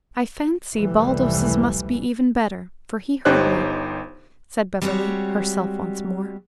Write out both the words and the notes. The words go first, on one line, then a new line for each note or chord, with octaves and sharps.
"I fancy Baldos's must be even better, for he heard me," said Beverly, herself once more.
F1 C#2 C3 E3 G3 A3
G1 D#4 G4 C5 C#5 F#6
G3 G#3 C4 F#4 C#5